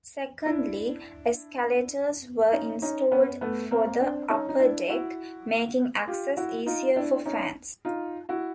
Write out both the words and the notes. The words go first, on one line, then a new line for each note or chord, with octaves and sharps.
Secondly, escalators were installed for the upper deck, making access easier for fans.
D4 E4
C#4 D#4
C#4 D#4
B3 C#4
A3 B3
A#3 C4
C4 D4
C#4 D#4
D#4
D4 E4
E4 F#4
F4 G4
E4 F#4
D#4 F4
D4 E4
C#4 D#4
D#4 F4
E4 F#4